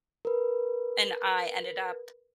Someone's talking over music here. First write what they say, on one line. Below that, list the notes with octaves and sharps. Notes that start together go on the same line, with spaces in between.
and I ended up
A#4 B4